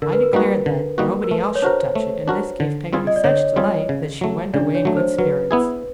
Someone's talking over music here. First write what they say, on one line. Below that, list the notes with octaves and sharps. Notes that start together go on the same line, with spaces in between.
I declared that nobody else should touch it; and this gave Peggotty such delight that she went away in good spirits.
D3 A#4
B4
A#4
G3 A#3 D#4 F#4
D3
G3 A#3 D#4 F#4
A#4
A3 B4
C#5
D4 F#4 A#4 C5
A3
D4 F#4 A#4
D3
G3 C4 F4 G#4
D#5
D5
D3 C#5
G3 C4 F4 G#4
C#3
F#3 A3
C#3 D4 D5
C#5
F#3 A3
C5
F#3 B4
B3 E4 G#4